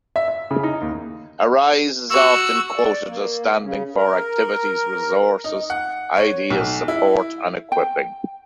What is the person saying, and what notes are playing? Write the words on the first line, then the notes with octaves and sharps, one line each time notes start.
Arise is often quoted as standing for: Activities, Resources, Ideas, Support and Equipping.
E5
E5
C#3
D#4
D#2
F#4 E6
D5
A#3
C#3
A#4
D#4
F#5
C#5
B1
E4
G5